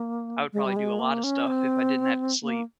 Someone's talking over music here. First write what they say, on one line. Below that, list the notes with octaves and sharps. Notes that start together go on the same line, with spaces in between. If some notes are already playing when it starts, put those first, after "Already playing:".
I would probably do a lot of stuff if I didn't have to sleep.
Already playing: A#3
G#3
G3
G#3
A#3
C#4
C4
A#3